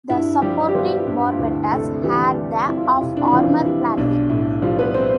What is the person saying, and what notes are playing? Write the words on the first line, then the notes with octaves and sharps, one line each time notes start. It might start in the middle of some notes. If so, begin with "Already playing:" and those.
The supporting barbettes had the of armor plating.
G2 E4
F3 G3 G4
G4
F3 B3 F4
G2
F4
D2 E4
C3 A3 A4
E3 G3 G4
G3
F2 E4
F4
E4
C3 E4
D4
E4
E3 F3 F4
G3 E4
B1 D4
A2 E4
F3 G3 F4
B3 B4
C4 C5